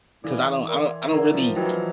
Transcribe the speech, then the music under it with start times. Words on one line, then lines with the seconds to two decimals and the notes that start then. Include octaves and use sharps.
'cause I don't I don't I don't really
0.24 E3 A4 D5 F5
0.68 A#4 D5 G5 C6
1.12 E3 A#4 D5 F#5 A#5 C#6
1.34 F3
1.56 E3 F#3 B4 D#5 G5